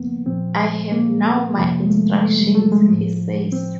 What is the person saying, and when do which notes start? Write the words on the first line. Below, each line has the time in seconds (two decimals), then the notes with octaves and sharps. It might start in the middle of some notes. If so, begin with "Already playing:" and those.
"I have now my instructions," he says.
Already playing: F2 C#3 F3 A#3 B3
0.26 A#2 F3 C4
0.92 A#3
1.57 F2 C3 F3
1.81 G#3
1.90 A3
2.22 A3
2.39 G3
2.55 A3
2.72 G#3
2.88 A2 F3
3.52 C4